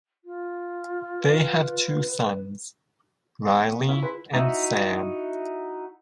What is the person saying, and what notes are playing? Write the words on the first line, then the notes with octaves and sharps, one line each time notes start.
They have two sons, Riley and Sam.
F4
B4
B3
C#4 E4 F4
F4 G#4 B4
D#4 E4 F#4 E5